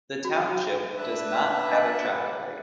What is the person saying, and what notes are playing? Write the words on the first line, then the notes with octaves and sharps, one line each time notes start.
The township does not have a traffic light.
F#4
D4 B4 E5
D#5